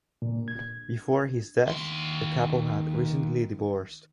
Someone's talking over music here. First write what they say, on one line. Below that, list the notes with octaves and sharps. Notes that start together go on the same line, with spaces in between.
Before his death, the couple had recently divorced.
A#2
G#6
D#2 C6